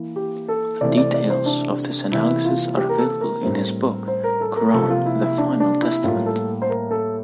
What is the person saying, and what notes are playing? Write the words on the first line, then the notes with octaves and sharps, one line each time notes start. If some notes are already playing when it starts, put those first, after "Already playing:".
The details of this analysis are available in his book, "Quran, the Final Testament".
Already playing: E3 A#3
G4
A4
C3 E3 A3 C4 D5
D5
D5
C5
D4
C3 E3 A#3 E4
F4
G4
A#4
A4
A#4
A2 G3 C4
C5
A#4
A4
A#4
C3 F3 A#3 A4
F4
E4
E4
D4
D4
E4
A2 G3 A#3 F4
A4
C5
A#4
A4